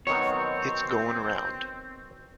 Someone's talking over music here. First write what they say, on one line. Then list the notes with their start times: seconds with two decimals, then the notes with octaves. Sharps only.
It's goin' round.
0.07 B2 D#3 F#3 C4 C#5